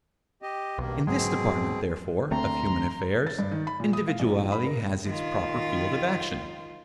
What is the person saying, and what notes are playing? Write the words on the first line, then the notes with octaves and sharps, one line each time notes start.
In this department, therefore, of human affairs, Individuality has its proper field of action.
G4 D#5
B1 G2 D#3 A#3
G#2 B2 F#3 G#3 C4 G#4
D2 A3 C4 A#5 C6
A6
G2
D#3
B5
A#2
D#6
F5
A#1
A1
B5
A#4
D#3 F4